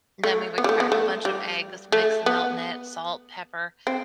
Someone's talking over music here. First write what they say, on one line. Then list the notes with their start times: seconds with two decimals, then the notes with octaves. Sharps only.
then we would crack a bunch of eggs, mix the melt in it, salt, pepper,
0.24 A3
0.58 B3
0.64 G3
0.69 A3
0.80 B3
0.92 A3
1.25 G3
1.92 A3
2.26 B3
3.87 C4